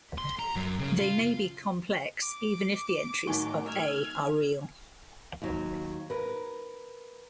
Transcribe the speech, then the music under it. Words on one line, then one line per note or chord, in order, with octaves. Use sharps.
They may be complex even if the entries of A are real.
C6
A#5
F#2
C#3
F4
D6
A2 D#3 F#3 D#4 G#5 C#6
E6 F6 G#6
D#2 F#3
A#4 B4